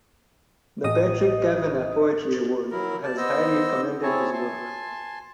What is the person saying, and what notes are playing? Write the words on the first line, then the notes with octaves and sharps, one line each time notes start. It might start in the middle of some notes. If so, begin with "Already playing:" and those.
The Patrick Kavanagh Poetry Award has "highly commended" his work.
A1 D#5 D#6
F#3 E4 A#4
D5 A5
B3 C5 D#5 E6
C4 E4 G#4 C#5 G#5 A5
G#5 A5 C6